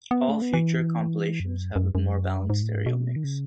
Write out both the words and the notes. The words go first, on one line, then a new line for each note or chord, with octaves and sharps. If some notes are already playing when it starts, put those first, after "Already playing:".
All future compilations have a more balanced stereo mix.
B3
A3
B3
E3
F#2
F#2
F#2
G#2
A2
G#2
B2
D#3
C#3